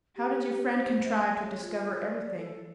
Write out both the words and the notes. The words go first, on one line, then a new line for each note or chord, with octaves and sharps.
How did your friend contrive to discover everything?
G4
C5
E5
E5
C#5
F4
D5
A4